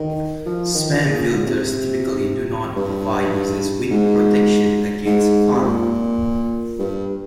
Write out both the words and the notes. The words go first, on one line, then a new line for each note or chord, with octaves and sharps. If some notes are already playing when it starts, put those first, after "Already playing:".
Spam filters typically do not provide users with protection against pharming.
Already playing: D#3
F3
D#3
D#3
C#3
A#2
G#2
C3
G2
G#2
G#2
C3
A#2
G2